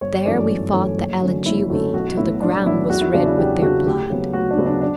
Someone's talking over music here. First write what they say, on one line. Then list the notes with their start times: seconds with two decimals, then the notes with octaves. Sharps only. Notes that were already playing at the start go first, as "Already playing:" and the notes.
There we fought the Alligewi, till the ground was red with their blood.
0.01 G1 C#5
0.26 F#2 E3 A3 C#4 D5
0.50 G1
0.73 F#2 E3 A3 C#4
0.98 F#1 C#5
1.21 F#2 D3 A3 C#4
1.46 F#1 E4
1.70 F#2 D3 A3 C#4
1.94 B1 F#4
2.17 A2 F#3 B3 E4
2.42 B1 D4
2.65 A2 F#3 B3 E4
2.90 E2 F#4
3.01 E4
3.14 C#3 F#3 B3 D4
3.26 E4
3.37 E2 G4
3.62 C#3 F#3 B3 D4 F#4
3.86 D2 G4
4.10 C#3 F#3 B3
4.33 D2 F#4
4.51 D4
4.58 C#3 F#3 B3
4.66 D4
4.82 D4